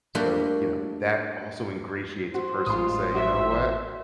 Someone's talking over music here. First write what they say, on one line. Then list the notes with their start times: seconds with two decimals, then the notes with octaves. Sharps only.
So, you know, that also ingratiates a person to say, you know what?
0.15 G3 A3 A#3 D4 E4 F#4
2.34 F#4 C5
2.66 A1 G#3 F4 C6 D#6
3.14 F#4 E5